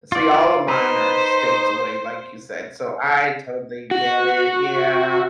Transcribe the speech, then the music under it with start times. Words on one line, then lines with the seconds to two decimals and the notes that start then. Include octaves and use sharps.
See, all of mine are states away like you said, so I totally get it Yeah,
0.12 F4 D5
0.68 D#4 B4 C5
3.91 F#4